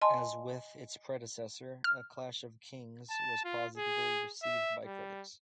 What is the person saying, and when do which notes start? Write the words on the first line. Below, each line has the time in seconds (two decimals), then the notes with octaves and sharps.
As with its predecessor, "A Clash of Kings" was positively received by critics.
0.02 D#5 G#5 A5 C6
1.84 F6
3.10 A5
3.44 F4
3.77 G#4
4.43 E5
4.85 G3